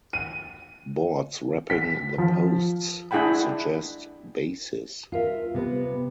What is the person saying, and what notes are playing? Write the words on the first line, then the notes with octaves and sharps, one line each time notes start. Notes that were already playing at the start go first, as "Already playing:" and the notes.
Boards wrapping the posts suggest "bases".
D#7
B6
F3
D4 E4 G#4 F#5 G5 B5
F4 A#4 E5
C3 B3